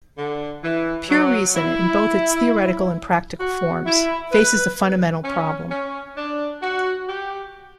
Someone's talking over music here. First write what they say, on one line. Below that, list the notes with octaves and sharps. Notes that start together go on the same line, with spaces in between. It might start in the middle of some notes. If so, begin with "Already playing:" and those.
Pure reason, in both its theoretical and practical forms, faces a fundamental problem.
D3
E3
F#3
E4
F#4
E4
B4
C#4
C#4
D4
F#4
G4